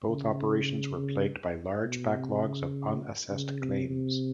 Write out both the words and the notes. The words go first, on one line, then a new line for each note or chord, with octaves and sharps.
Both operations were plagued by large backlogs of unassessed claims.
C#3
C#3
B2
C3
C#3
C#3
C3
C3